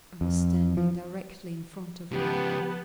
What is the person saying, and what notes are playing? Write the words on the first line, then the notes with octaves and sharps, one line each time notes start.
I was standing directly in front of her.
F2
F3
C#3 F3 B3 G4 B4 A5